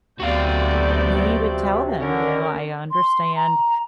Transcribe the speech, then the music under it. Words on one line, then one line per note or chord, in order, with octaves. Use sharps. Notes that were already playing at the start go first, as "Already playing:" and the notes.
he would tell them, you know, "I understand
D2 C3 F#3 B3 F#4 D5 F5 G6
D3 C#4 A#4
C6
A#5